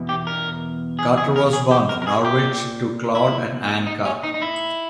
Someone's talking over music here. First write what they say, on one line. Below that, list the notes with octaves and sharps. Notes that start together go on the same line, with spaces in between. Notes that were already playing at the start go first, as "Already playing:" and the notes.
Carter was born in Norwich to Claude and Anne Carter.
Already playing: E2 B2
G4
A#4
G#4
G#4
A#4
G#4
G4
A#4
A#4
G#4
G4
A#2
E4
D#4
C#4
D#4
D#4
E4